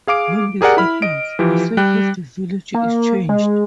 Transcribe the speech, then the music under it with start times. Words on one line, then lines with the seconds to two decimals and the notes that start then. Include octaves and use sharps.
When this happens, the site of the village is changed.
0.07 G#4 F5 D6 D7
0.61 G4 G#4 A#4 D5 F#5
0.77 E4 B5 F6
1.02 D#5 D7
1.39 E3 F3 G4
1.77 G3 G5 F#6
2.74 A#3
3.29 G#3